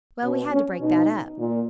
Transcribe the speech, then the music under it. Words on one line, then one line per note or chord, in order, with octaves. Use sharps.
Well, we had to break that up.
B2 C#4
C#4
B2 D#4
A#2